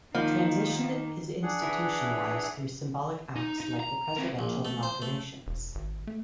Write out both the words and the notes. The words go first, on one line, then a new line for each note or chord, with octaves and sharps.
The transition is institutionalized through symbolic acts like the presidential inaugurations.
D#3 F3 A#3 D#4
D4 G#4 F#5
E3
D#4
D#4
A#5
C4 A#4
A#1
A3
C5
A3
E1
G#1
A3